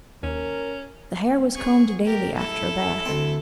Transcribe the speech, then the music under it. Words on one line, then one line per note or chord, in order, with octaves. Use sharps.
The hair was combed daily after a bath.
D#2 C#4 A#4
G#4 C#6
G4 A#4
E4 A4
D2 C4